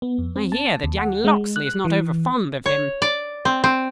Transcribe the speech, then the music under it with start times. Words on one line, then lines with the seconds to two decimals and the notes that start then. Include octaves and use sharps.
I hear that young Locksley is not over-fond of him.
0.02 B3
0.18 F2
0.36 C4
0.52 A5
0.83 D#2
0.99 F#5
1.25 G#3
1.56 F#6
1.85 E3
2.66 C#5
3.02 D5
3.45 C4
3.64 C4